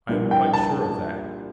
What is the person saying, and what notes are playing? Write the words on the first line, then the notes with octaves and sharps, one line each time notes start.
I am quite sure of that.
C2 A#2 F3 A#3 D4
G5
A5